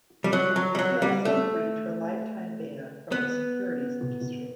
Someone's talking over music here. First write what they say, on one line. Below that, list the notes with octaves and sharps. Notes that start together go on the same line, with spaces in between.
He also agreed to a lifetime ban from the securities industry.
G3
F#3
F#3
G3
F#3
G3
A3
B3